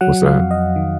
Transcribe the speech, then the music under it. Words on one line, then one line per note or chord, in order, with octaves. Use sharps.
What's that?
F#3 F#5
F5
F2
D#5
D#3